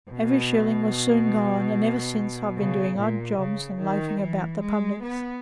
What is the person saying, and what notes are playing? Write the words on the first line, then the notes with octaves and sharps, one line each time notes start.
Every shilling was soon gone, and eversince I've been doing odd jobs and loafing about the publics.
B2
C#3
A#2
C#3
D#3
E3
G#3
B3